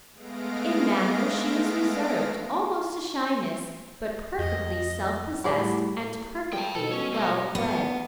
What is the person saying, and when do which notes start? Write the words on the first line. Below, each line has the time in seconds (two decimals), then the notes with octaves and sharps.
In manner she was reserved almost to shyness, but perfectly self-possessed, and perfectly well-bred.
0.14 G#3 A3 B3 F5 A#6 D7
4.38 F2 D#5
5.44 A2 G3 F#4 G#4 D5 B5
6.53 G5 A5
6.75 B2 A4
6.91 C#4 C#5
7.14 C4 D#5
7.55 B3